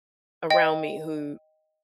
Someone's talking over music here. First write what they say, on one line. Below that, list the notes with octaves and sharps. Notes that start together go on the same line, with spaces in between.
around me who
D#5 G5